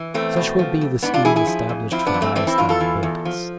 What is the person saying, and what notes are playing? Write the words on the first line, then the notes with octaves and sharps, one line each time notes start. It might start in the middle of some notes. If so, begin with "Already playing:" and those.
Such will be the scheme established for diastyle buildings.
Already playing: E3
E2 A3 C4
B2
F3
F2
G#2 B3 D4
D4 F4
E3 E4 G#4
E4 G#4
F3
F2
F3 C4 E4
B3 D4
F2
A3 C4
E3 A3 C4
C4 E4
E2 D4 F4
F4 A4
E3
E2
F3